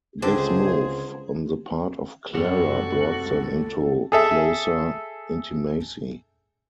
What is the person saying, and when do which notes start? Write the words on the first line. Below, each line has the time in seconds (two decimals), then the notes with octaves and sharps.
This move on the part of Clara brought them into closer intimacy.
0.22 C#2 D3 C4 D4 G#4 C5
2.35 F#2 C3 F#3 G3 F#4 A4
3.22 C#2
4.12 G#4 A4 E5